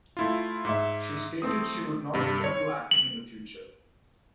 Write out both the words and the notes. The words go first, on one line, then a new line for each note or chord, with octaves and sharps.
She stated she would not return to acting in the future.
A3 E4 F4
G#2 E5
A3 C4 D#6
G2 C3
C#5
F#7